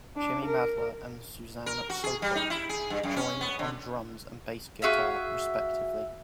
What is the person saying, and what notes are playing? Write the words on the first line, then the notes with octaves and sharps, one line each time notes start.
Jimmy Madla and Suzanne Sokol joined on drums and bass guitar respectively.
D4
A#4
A#4
F#4
G#4
G3
D#4
E4
G#4
G2
F#2
C#4
B3
D3
F#4 G#4 E5 F5